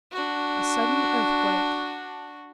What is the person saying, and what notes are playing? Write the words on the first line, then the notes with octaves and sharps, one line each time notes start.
A sudden earthquake.
D4 F#4